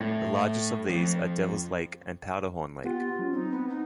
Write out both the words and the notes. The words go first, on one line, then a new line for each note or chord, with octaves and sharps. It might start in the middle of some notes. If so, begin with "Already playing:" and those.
The largest of these are Devil's Lake and Powderhorn Lake.
A2
F2
B3 F4 G4 F#5
F#3 C#4
C4 D#4
B3
D#4